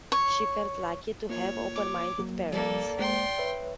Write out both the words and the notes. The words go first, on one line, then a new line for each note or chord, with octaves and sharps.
She felt lucky to have open-minded parents.
C#5
A#3 F4 C#5
D6
F#3 A#3
F3 G3 A#3 A4 D5
G#3 A#3 C5 G5 C6
B4 C#5 E5